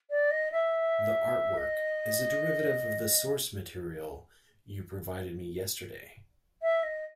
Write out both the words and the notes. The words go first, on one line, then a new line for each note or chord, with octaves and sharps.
The artwork is a derivative of the source material you provided me yesterday.
D5
D#5
E5
D#5
E5
D#5